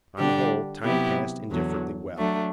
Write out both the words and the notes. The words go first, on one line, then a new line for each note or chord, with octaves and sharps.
On the whole, time passed indifferently well.
D3 G3 D4 G4
C3 F#3 B3 E4 G4
E2 D3 F#3
F#3 A3 D4